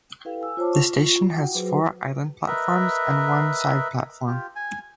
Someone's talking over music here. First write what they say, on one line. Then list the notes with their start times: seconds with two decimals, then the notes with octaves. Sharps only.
The station has four island platforms and one side platform.
0.25 E4 G4 A4 B4 F5 G5
0.41 G#5 E6
0.57 F4 C5 C#5 A5 D6
0.73 F4 C#6
1.34 E4 F#4 F#5 G5
1.54 F#3 F#4 G#4 B4 C5
2.47 A#4 B4 D#5 E5
4.27 F4 G4
4.56 G#5